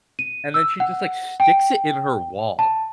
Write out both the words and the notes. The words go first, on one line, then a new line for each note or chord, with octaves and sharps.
and then she just, like, sticks it in her wall.
D#7
E6
F#5
G5
A5